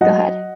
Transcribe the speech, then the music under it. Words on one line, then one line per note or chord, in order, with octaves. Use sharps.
Go ahead.
F#3 D#5 F#5